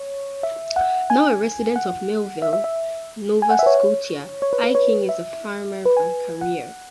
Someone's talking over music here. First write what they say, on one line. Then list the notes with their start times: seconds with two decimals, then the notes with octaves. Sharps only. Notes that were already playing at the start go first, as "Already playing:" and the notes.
Now a resident of Millville, Nova Scotia, Eyking is a farmer by career.
Already playing: C#5
0.43 E5
0.76 F#5
1.10 G#5
1.76 F#5
2.42 E5
2.53 E5
2.64 E5
3.42 G#5
3.50 F#5
3.59 E5
3.63 B4
3.66 C#5
4.42 C#5
4.53 B4
4.64 B4
4.75 C#5
5.09 E5
5.85 B4
5.97 G#5
6.41 F#5